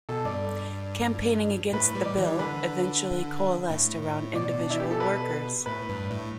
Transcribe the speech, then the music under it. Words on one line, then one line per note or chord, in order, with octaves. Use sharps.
Campaigning against the Bill eventually coalesced around individual workers.
B2 A4
G2 D5
A2 B4
G3
D5
E3
D3 B4
A2
A2
B2 D5
D4
E4
G4
A4
B4
A2 B4
G2
A2